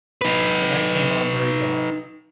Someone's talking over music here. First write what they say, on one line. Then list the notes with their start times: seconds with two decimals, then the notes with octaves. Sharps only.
The night came on very dark.
0.21 D#4 B4